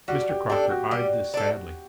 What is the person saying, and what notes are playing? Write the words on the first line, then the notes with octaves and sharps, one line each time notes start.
Mr. Crocker eyed this sadly.
G3 F#4
G4
D4 G4 A4
F#4
G3
D4 A4